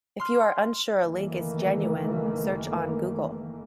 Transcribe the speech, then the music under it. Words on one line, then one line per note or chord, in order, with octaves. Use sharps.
If you are unsure a link is genuine, search on Google.
C6 F6
F#1 D#3 E3 A3 A#3